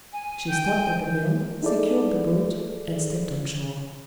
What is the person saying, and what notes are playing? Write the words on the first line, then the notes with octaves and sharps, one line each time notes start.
She stopped at the mill, secured the boat, and stepped on shore.
G#5
G5
D#4 E4 G#4 A4 D5